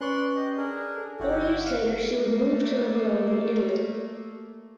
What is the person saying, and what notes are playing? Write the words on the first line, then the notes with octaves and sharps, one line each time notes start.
Four years later she would move to live alone in Italy.
C#4 B4 D5 C6 C#6 F#6
G4 D#5
D4 G#4 A#4
A4
G1 E4 F#4 G4
F5 F#5
A3 A#3